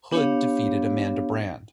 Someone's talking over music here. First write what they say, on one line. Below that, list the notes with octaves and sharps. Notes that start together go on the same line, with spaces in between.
Hood defeated Amanda Brand.
B3 D4 G4 C#5 F5